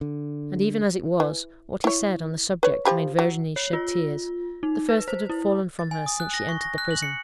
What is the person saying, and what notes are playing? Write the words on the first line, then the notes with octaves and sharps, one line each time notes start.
And, even as it was, what he said on the subject made Virginie shed tears--the first that had fallen from her since she entered the prison.
D3
E3
E4 C#5
B4 C#5
F3 G4 B5
F#3
C#5
F4
D#4
B4
C5
E4
A6
G#5
D#6
F#6
A#6
C#6
A#6
F#6
F#7
C#7